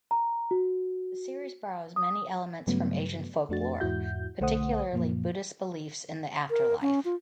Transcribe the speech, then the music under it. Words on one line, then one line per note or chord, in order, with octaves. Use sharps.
The series borrows many elements from Asian folklore, particularly Buddhist beliefs in the afterlife.
A#5
F#4
D#6
G2 C#3 F#3 A3 B3
F2 A3 D4 F#4 A6
E2 G#2 E4 F#4 G6
B1 D3 A3 C5 F#5 D#6
F#2 A#2 F3 A#3
A#4
C#4
F4